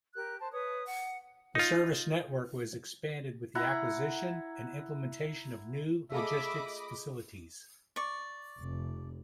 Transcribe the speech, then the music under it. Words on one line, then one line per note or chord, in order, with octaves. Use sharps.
The service network was expanded with the acquisition and implementation of new logistics facilities.
G4 A#4 F#6
C5 A5
B4 C#5 D#6
F#5
D#4 F4
E4 F#5 A#5
A3 F4 G#4 A4 D#5 E5 B5 D6
D5 C#6
F1